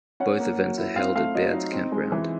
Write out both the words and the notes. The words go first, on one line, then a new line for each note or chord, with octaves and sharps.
Both events are held at Baird's Campground.
C#4 F#5
A#3
F#3
E4
C4 F5
A3 F5
F#3 D#5
D#4
C4
G#3
E3